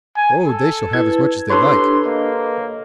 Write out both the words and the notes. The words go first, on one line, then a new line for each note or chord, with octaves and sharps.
"Oh! they shall have as much as they like."
G#5
A4
E4 B4 G#6
D4 G4 A4 B4 C#5 C6
A#3 D#5